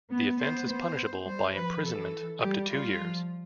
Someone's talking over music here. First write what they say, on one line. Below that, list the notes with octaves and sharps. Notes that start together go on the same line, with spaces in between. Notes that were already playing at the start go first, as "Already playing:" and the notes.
The offense is punishable by imprisonment up to two years.
B3
B3 C5
B3 C5
G3 C5
F3 B4
E3 A4
G3 G4
F4
F3